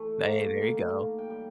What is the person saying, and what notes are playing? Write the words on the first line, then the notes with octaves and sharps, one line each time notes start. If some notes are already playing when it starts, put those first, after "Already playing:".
Hey, there you go.
Already playing: E3 A3
A#3
D#3
A#3
G5
G3